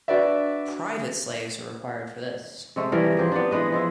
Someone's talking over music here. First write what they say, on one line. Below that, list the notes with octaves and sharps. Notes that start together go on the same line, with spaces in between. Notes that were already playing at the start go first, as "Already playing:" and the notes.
Private slaves were required for this.
D4 F#4 B4 D5 E5
C3 G#3 A3
E3 G3 A#4 D#5
F3 G4 G#4
B3 D4
E3 G#3 B4 D#5
F3 G#3 E4